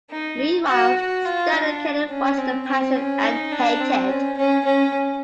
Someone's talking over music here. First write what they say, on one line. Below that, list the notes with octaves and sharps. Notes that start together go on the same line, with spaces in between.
Meanwhile, Stan and Kenny watch "The Passion" and hate it.
D#4
F#4
F#4
F4
D4
C#4
C4
C4
C#4
D#4
D4
C4
C#4
C#4
C#4